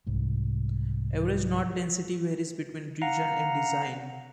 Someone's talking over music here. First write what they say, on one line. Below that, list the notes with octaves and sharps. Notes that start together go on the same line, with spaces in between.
Average knot density varies between region and design.
C2 G#2
F5 F#5 A#5